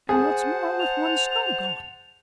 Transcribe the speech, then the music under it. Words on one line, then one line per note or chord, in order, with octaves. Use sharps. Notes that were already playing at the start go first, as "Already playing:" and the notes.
And what's more,--with one scull gone.
G#4 C5 F#5 A5
F7